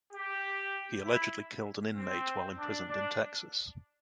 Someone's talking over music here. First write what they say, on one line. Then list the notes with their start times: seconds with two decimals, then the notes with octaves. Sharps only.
He allegedly killed an inmate while imprisoned in Texas.
0.13 G4
1.04 E4
1.96 C4
2.58 D4
2.88 D4